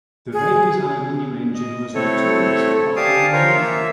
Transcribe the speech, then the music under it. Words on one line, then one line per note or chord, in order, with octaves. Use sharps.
The Vega's aluminum engine was notorious for buckling and leaking.
G#4
D#5
A3 C4 E4 A4 C#5
G4 D5 F5 G#5 A5 D#6
F4 A#4 C5 C#5 F5
A#3 E5